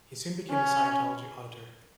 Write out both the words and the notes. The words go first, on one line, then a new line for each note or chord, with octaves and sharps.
He soon became a Scientology auditor.
C#4